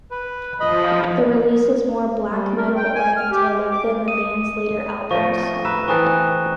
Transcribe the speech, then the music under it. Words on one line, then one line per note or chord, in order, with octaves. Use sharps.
The release is more black metal oriented than the band's later albums.
B4
F3 D#5 B5
G3
A#4
G5
G#5
F6
G4
G#3
D6
D#6 D#7
F3 A3 C#6 A#6 D#7
B4 A#5 E6 E7
E3 C4 A4 C#6 D#6 F#6